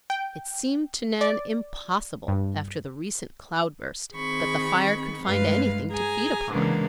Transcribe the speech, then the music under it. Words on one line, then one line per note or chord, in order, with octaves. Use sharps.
It seemed to Nan impossible after the recent cloudburst that the fire could find anything to feed upon.
G5
D5
G2
D#3 C4 G#4 B5 C#6
G2 G#3 A3 B4 F5
G#4 G#5 A#5
C#3 E3 G#3 A#3 B3 D4